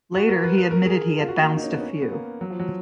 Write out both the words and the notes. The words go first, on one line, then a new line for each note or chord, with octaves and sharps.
Later, he admitted he had bounced a few.
F#4
A#4
B4
B4
A#4
G#4
F4
F#4
A#3
D#4
C#4
B3
C#4
B3
A#3
F#3
F3
F#3